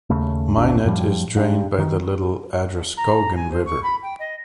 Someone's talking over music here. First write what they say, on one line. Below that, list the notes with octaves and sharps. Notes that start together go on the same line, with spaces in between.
Minot is drained by the Little Androscoggin River.
D#2 C#3 A3
G#1 D#2 C3 D4
F#2 A2 F3 G3
G2
D#3
A#5
G#5
C5
C#6
B5
G5
D#5